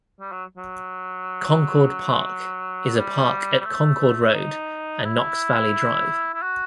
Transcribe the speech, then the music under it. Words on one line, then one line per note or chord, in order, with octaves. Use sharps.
Concord Park is a park at Concord Road and Knox Valley Drive.
G3
F#3
F#3
G3
G3
A3
D#4
E4
E4
F#4